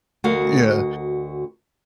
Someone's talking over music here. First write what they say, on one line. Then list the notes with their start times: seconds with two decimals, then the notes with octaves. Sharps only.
y yeah.
0.24 D2 F#4 A#4 D#5 F5